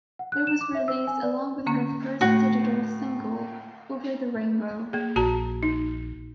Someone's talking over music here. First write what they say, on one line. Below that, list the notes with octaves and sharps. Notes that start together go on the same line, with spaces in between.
It was released along with her first digital single, "Over the Rainbow".
F#5
F#6
E7
D6
E5
E6
G#5
D5
D3 A#3 C#4
A2 F#4
A#3 G#4
A#1 F#4 A5 A#5
D#4